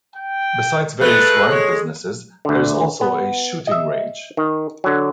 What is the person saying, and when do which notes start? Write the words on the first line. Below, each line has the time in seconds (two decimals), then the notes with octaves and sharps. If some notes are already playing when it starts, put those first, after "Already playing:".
Besides various ride businesses there is also a shooting range.
0.16 G5
1.01 G#3 A3 B4 F#6
1.51 G#3 C#5
2.45 D2 D3
3.01 B3
3.67 D#5 E5
4.37 D#3
4.84 D3 F#3